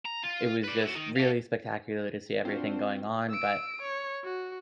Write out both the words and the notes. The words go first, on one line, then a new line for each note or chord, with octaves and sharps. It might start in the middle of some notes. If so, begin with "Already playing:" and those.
it was just really spectacular to see everything going on, but.
A#5
F4
B4 D5
F#4 E5
D#3 D#4
A4 F5
C4 D4 F4 F#4
E6 D7
C#5
F#4